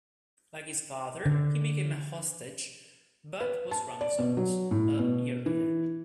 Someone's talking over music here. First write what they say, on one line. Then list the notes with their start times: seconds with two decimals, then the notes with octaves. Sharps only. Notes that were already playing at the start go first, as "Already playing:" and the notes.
Like his father he became a hostage but was ransomed a year later.
1.25 D3
3.41 B4
3.71 A5
4.01 D5
4.19 B2
4.37 F#3
4.71 A2
4.99 B2
5.46 E3